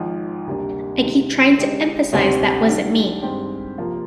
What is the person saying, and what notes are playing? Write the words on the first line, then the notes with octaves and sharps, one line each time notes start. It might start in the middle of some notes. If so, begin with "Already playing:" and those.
I keep trying to emphasize that wasn't me.
Already playing: G#1 G#2 F3
D2 C3 G3 A#3 D4
C3 D#3 G#3
D3 G#3 D#4 G4 D5
D2 C3 G3 C4 D#4
D#3 G3 D4
G2 D#3 G#3 C4 G4
C3 F3 A#3 F4